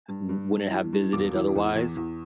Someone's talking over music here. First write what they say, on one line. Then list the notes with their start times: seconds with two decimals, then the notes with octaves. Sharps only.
w wouldn't have visited otherwise,
0.08 G2
0.29 G2
0.51 G2
0.71 E3
0.93 G2
1.13 E1 D6
1.35 E3
1.56 E2
1.76 E2
1.97 E2